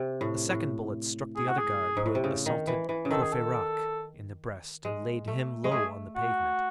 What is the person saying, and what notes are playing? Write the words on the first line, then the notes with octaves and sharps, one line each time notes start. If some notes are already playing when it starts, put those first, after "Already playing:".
A second bullet struck the other guard, who had assaulted Courfeyrac in the breast, and laid him low on the pavement.
Already playing: C3
A2
A2
G#4
F#4
G#4
G#2
A2
C3
C#3
D#3
E3
E3
C#3
D#3 A4
G#4
A4
G#3
A3
G#3
A3 G#4
F#4